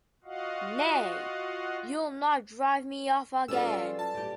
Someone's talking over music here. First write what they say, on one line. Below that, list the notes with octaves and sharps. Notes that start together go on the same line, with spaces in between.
Nay, you’ll not drive me off again.
F4 F#4 D#5 F5 F#5
G3 C#4 F4 G#4 A4 B4 D5 E6
A5
G3 G4